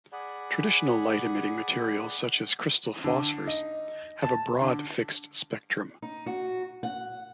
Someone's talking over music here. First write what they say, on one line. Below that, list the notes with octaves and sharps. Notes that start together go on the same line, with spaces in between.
Traditional light emitting materials such as crystal phosphors have a broad fixed spectrum.
G#4 D5 F#5 G#5 B5
D3
D#4
A5
D3
D#4
F#4
F#5